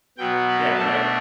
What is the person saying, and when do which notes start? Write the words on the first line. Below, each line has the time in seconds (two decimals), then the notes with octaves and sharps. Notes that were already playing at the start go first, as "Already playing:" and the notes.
Yeah, right?
0.17 B2 F#3 B3 G5
0.48 B4
0.76 B2 A3 D4 A5